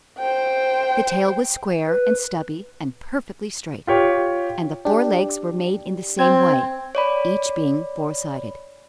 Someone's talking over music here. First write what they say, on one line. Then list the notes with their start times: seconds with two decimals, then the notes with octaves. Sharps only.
The tail was square and stubby and perfectly straight, and the four legs were made in the same way, each being four-sided.
0.19 C5 G5
1.88 B4
3.87 F4 G4 C#5
4.85 D4 G4
6.19 C4 G#6
6.95 C#5 D5 B5